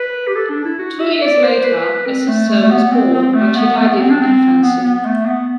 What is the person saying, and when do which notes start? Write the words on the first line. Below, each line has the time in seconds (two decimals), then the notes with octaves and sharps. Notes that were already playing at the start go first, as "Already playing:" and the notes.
Two years later, a sister was born, but she died in infancy.
Already playing: B4
0.28 G4
0.36 A4
0.50 D4
0.65 E4
0.79 F#4
1.01 E5
1.14 E5
1.22 D5
1.43 C5
1.64 B4
2.06 C4
2.28 A3
2.50 A3
2.62 A3
2.71 B3
2.92 C4
3.13 C4
3.35 A3
3.56 B3
3.77 A3
3.88 B3
3.99 C4
4.10 D4
4.20 C4
4.63 B3
4.84 B3
5.05 A3
5.26 B3